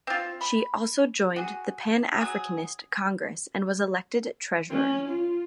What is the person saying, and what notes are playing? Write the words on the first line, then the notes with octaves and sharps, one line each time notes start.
She also joined the Pan Africanist Congress and was elected treasurer.
C4 F4
B5
F#4 G#4
F#3 G#4
C#4
F4